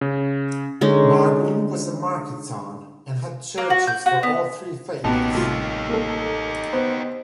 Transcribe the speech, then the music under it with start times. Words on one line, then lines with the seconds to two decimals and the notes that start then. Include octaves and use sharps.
Margonin was a market town, and had churches for all three faiths.
0.01 C#3
0.81 D3 G#3 C#4 D#4
3.58 A#3
3.70 F#4
3.87 G6
4.06 F#4
4.23 B3
5.04 A1 B2 B3 D#4 G4 A5
5.33 C2 A3 F4
5.90 A#3 A4
6.73 B3 C5